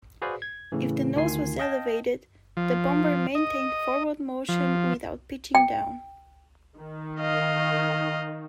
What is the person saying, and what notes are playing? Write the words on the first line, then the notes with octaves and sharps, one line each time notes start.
If the nose was elevated, the bomber maintained forward motion without pitching down.
F#4 G#4 B4 C5 D5 F5
G#6
A2 C#3 E3
D2 D#3 F4 G#5 C7
D#5 F5 G5 A5
F3
D#5
F3
G5
D#3
D#5 F5